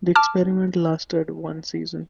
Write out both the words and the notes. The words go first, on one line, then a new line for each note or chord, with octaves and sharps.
The experiment lasted one season.
A5 D6 F6